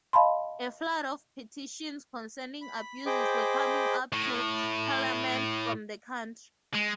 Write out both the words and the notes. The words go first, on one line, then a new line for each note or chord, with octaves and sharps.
A flood of petitions concerning abuses were coming up to Parliament from the country.
D#5 F5 A5 B5 C6
B5
G#4 C5 D#5 G5 B5 D6
A2
G#3